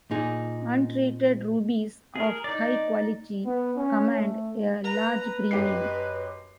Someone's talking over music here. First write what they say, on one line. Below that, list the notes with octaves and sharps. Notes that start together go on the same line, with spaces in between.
Untreated rubies of high quality command a large premium.
A#2 D#4 G#4
G#4 A#4
D#4 D5
B3
C#4
A3
B4 A#5
F#2 G4 D#5 C7